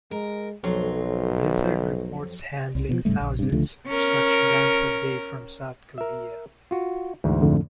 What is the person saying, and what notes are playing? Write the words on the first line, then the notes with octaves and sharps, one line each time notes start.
Blizzard reports handling thousands of such bans a day from South Korea.
G#3 A#4
B1 F2 F#3 C5
C2
B2 D3 F3
G#2 C#3 G3 A3
A#1
G2 C3
C#2 D3 F3 A3
C#4 A#4
A#4 E5
F4 F#4
D2 G#2 E3
F2 A2 D3